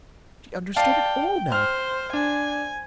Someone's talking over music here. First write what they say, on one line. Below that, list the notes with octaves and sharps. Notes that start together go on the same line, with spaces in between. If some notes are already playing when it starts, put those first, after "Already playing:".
She understood it all now.
D5 F5 G5 A5
C5 F6
D4 G#5